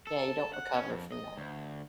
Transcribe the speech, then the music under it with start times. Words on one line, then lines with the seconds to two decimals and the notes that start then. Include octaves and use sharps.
Yeah, you don't recover from that.
0.07 A4
0.54 F#5
0.74 C#4
0.90 F2
1.12 D#5
1.37 D2